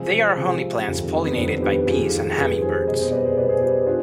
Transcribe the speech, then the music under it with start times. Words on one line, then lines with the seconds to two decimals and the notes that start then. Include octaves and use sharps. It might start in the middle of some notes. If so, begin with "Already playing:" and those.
They are honey plants pollinated by bees and hummingbirds.
Already playing: C3 F3 G#3 C4
0.37 C3 F3 G#3
0.87 F2 D#3 G3
1.16 B3
1.27 C4
1.37 F2 D#3 G3 B3 D4
1.62 G4 B4
1.87 F2 D#3 G#3 F4 G#4
2.27 G#4
2.37 F2 D#3 G#3 G4 B4
2.62 G#4 C5
2.87 B2 G3 C5 D#5
2.99 C5 D#5
3.12 B4 D5
3.25 G#4 C5
3.37 B2 G3 B4 D5
3.49 G#4 C5
3.62 G4 B4
3.87 D4 F4